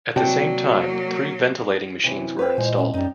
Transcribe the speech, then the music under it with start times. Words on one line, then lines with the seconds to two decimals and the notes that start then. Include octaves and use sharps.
At the same time, three ventilating machines were installed.
0.16 C3 F#3 A#3 F#4 B4 D5 G5 A5
2.04 C3 E3 F#3
2.39 B4 C5 G5
2.57 A#2 E3 G#3 D#5
2.77 C#4
2.94 F#2 G3 C#4 D#4